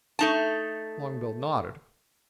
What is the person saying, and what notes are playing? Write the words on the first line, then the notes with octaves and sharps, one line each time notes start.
Longbill nodded.
A3 D#4 A5